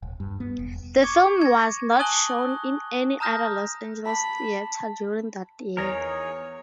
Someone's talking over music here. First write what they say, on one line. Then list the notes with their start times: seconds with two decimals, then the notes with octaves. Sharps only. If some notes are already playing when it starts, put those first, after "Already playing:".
The film was not shown in any other Los Angeles theater during that year.
0.03 D#1
0.20 G2
0.40 B3
0.59 E1
1.02 C#6 D6 G#6 C#7
1.42 G#6 A#6
1.99 G#5 A5 D#6 F#6 F#7 G7
3.20 A5 A#5 D#6 F6 G6 A#6
4.06 A5 B5 D6
5.77 E2 D#4 G#4 A#4 C#5 A#6